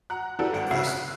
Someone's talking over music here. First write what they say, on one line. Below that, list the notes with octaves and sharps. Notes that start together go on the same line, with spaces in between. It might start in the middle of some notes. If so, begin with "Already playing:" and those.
Invest it.
F#5 A#5 F#6
E3 D4 F#4 G4 A4 B4
G#1 F#5 G5
C#3 C#4 F4 F#4 E5 C7
F#6